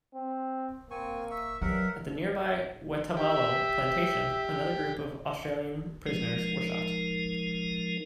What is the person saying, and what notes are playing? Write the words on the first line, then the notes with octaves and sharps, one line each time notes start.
At the nearby Waitavalo Plantation, another group of Australian prisoners were shot.
C4
A#3 C4 G#5 C#6
E5 C#6 E6
G2 F#3 A#4 E5 F#5
G4 E5
F3 G#3 D#4 A#4